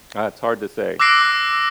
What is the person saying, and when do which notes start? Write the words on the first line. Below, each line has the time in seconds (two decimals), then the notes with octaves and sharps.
ah, it's hard to say
1.00 D6 E6 F#6 A#6 C7 D7